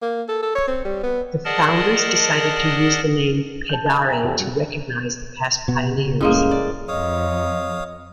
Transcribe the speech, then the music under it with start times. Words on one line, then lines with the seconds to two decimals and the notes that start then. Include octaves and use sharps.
The founders decided to use the name "Pedare" to recoginise the past pioneers.
0.02 A#3
0.28 A4
0.42 A4
0.55 C#5
0.68 C4
0.85 G3
1.03 B3
1.45 G#4 A#4 D5 D#5 F#5 A5
3.69 A5 G6
3.86 D#5 A5 G6
4.07 E5 G5 G#5 A#5
4.24 E2 C3 A4 G5
4.35 G2 F#4
5.68 B2 B3
5.98 C#3
6.21 F1 A2 G3 G#3 A#3 C#4
6.51 D5
6.88 F2 C#5 D#5 F5 D#6